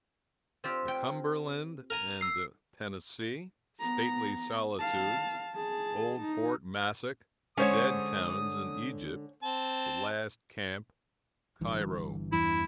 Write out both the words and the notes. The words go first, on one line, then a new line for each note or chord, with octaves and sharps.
The Cumberland and the Tennessee--Stately Solitudes--Old Fort Massac--Dead towns in Egypt--The last camp--Cairo.
C4 F4 G4
G5
A#4 G#5 A#5
E6 C7
B3 A#5
F5 A5
G#4 A5
D#4
D3 G#3 C#4 C5 C#5 D#6
C4 A5
G1 G2 E3
E2 G2 E3 E4